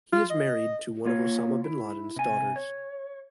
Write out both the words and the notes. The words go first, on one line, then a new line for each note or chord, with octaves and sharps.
He is married to one of Osama bin Laden's daughters.
F4
D#5
A#3 F4 C#5
E4
C3 G#5
C#5